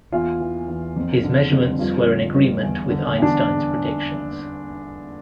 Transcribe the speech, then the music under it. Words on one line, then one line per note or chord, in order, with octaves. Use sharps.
His measurements were in agreement with Einstein's predictions.
E2 F4
E3
E2
F2
D3
F2
G2 F4
D3
G2
E2
D3
E2 D4